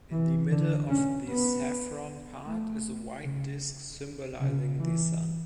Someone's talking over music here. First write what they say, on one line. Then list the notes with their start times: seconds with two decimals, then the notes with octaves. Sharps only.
In the middle of the saffron part is a white disc symbolizing the sun.
0.11 E3
0.51 D3
0.89 C#4
1.29 B3
2.45 A3
3.23 C#3
4.40 C#3
4.79 E3